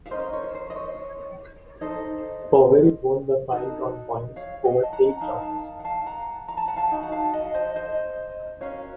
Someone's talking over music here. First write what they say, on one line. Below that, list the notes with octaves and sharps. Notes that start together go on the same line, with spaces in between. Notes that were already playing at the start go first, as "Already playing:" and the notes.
Powell won the fight on points, over eight rounds.
F5
C#4 F4 A#4 C5 D#5
C#5
C5
D#5
C#5
D#4 A4 C5 D#5
D#4 F#4 A4
C#5 F5
D#5 F#5
A5
F#5 A#5
A#5
D#4 A#4 F5 A5
F5 A5
F#5
F5 A5
F#5 A#5
A#5
A5
F#5
F5 A5
D#4 F#4
F#5
F5 A5
D#5 F#5
C5 D#5
C5 D#5
C#4 F#4 A#4 C#5 F5